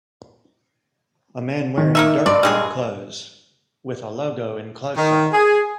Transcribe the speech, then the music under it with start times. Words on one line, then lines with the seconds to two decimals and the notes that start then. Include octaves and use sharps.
A man wearing dirt bike clothes, with a logo in closeup.
1.78 D#3
1.95 A#3 D#4 E5
2.26 G2 D5 D#5 C6
2.43 G3 G#3 G#4
4.96 D#3
5.32 G#4